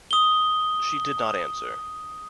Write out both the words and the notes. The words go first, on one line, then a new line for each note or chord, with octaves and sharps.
She did not answer.
D#6 G7